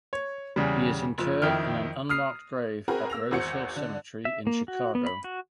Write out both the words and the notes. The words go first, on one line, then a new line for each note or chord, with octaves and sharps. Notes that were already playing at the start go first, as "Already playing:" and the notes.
He is interred in an unmarked grave at Rosehill Cemetery in Chicago.
C#5
E2 C#3 G3
F#1 F3
F2 D#3 E4 G5 F6
D#6 F6 C7
C4 F#4 G#4 A#4 B4
A#3 E6 A#6 F7
G#1 E2 F#4 C5 G#6 C#7
D3
E5
A#3
F#4
B3
B5
F#4